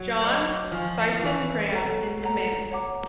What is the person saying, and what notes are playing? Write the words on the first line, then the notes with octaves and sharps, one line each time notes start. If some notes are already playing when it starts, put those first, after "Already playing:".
John Sisson Graham in command.
Already playing: F#3
D#5 F#5 B5 D6 G6
F3 F5 G#5 C#6
F3
E3 F5 G#5 C#6
B2 A4 C#5 F#5 A#5
A4 C#5 F#5 A#5
C#5 F#5 A#5 D6